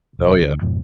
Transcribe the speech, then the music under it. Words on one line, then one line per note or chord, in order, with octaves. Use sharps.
Oh, yeah.
E1
D2
F2 G#2 B2 F3